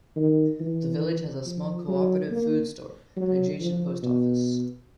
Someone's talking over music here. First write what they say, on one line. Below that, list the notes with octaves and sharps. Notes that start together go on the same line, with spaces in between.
The village has a small Co-operative food store, and adjacent Post office.
D#3
E3
F3
F#3
A#3
F#3
F3
B2